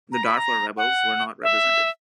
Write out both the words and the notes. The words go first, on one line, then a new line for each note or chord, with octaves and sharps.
The Darfur rebels were not represented.
A#5
B5
A#5
F#5
E5